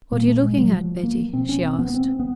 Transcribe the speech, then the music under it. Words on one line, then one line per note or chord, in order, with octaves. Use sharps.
"What are you looking at, Betty?" she asked.
A#2 A#3
A3
G#3
F#3
F3
A#3
B2 C4
C#4
C4
B3
C4
B3